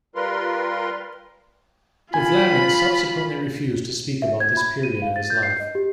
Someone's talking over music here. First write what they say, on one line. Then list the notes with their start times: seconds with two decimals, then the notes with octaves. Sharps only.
De Vlaeminck subsequently refused to speak about this period of his life.
0.15 G3 F4 A#4 B4 C6
2.14 F4 G#5 B5
4.22 E5
4.40 G#6
4.57 B5
4.83 D#7
5.02 F5
5.16 A6
5.30 G6
5.43 C7
5.60 D#5
5.75 G4